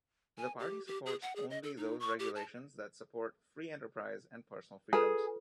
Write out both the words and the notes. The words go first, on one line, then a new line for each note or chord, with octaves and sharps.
The party supports only those regulations that support free enterprise and personal freedoms.
G#5
G4
G4
G#4
F#5
G#4
D#5
A4
D#4
C#6
G4
A5
F4 G#4 A4 B4